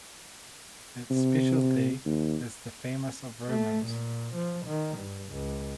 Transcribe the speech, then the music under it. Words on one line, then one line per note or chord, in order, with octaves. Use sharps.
Its speciality is the famous of Romans.
C3
D#2
A3
A#2
F3
D#3
G2
C#2